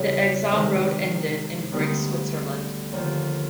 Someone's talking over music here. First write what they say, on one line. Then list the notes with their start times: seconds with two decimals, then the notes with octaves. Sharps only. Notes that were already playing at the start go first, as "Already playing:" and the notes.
The exile road ended in Brig, Switzerland.
Already playing: E2 C#3 E3 G3
0.52 C3 D#3 G#3
1.72 D2 D3 G3 B3 D#4
2.93 D#2 D3 F3